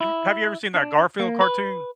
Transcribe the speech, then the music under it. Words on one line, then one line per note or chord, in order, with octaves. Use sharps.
You have ever seen that Garfield cartoon?
E4
D4
A#3
B4